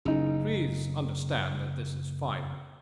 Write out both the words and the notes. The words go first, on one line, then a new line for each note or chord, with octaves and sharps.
Please understand that this is final.
F#1 C#3 D#4